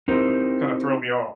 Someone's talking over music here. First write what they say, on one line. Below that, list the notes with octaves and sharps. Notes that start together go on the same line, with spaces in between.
kinda throw me off.
C4 D#4 E4 G4 A#4 C5